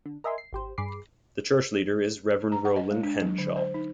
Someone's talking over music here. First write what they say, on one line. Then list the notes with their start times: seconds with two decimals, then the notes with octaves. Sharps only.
The church leader is Reverend Rowland Henshaw.
0.06 D3
0.24 A#4 D#5 E5 G#5 C6
0.38 C7
0.53 G#1 G4 C5
0.78 G2 G#4 B5 D6 C7
2.52 A#5
2.65 F#5
2.76 D#5
2.91 G#3
3.03 D4
3.21 F#3
3.38 D3
3.56 C5
3.74 D#4